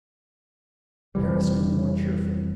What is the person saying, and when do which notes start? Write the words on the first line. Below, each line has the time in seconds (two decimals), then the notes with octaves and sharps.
Harris grew more cheerful.
1.15 F1 C3 E3 G3